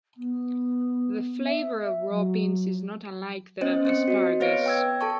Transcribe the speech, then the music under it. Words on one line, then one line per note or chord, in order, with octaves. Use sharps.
The flavour of raw beans is not unlike that of asparagus.
B3
E5
F#3
B3 C#4 C5 D#5
C4 C5 C#7
F#4 D#5
B3 B4 C#5 F5 A#6 D7
G5 E6 G#6
A4 A5 C#6